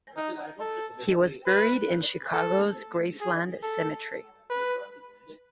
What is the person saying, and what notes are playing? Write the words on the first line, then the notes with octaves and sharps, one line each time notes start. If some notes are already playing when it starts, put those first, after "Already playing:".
He was buried in Chicago's Graceland Cemetery.
D#4
A4
B4
A4
G#4
A4
B4